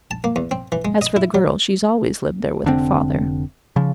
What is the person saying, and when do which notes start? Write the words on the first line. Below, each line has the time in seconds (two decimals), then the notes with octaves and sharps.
As for the girl, she's always lived there with her father.
0.11 A5
0.24 A#3
0.36 E2
0.51 C4
0.72 E3
0.85 G#3
1.01 D#5
1.16 E4
1.35 F#3
2.64 F1 D3 C4
3.76 C#3 F3